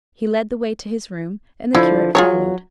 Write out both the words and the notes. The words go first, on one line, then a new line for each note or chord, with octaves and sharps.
He led the way to his room, and the curate followed.
D3 F3 E4
F#3 F4 G#4 C#5